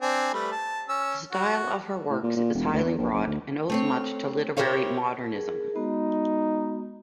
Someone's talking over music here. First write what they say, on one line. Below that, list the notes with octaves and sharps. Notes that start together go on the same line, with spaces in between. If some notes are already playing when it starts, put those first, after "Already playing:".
The style of her works is highly wrought and owes much to literary modernism.
C4 D4 G#5
G3 A3 B4
A5
C#4 E6
F#4
A2
A#2
A#2
E1
D2
E2
A#1
F#1
D2
A3 C4 C#5
E4 G4 A#4 C5 C#5 F5
G#4 A#4
G#3 B3 D#4 F#4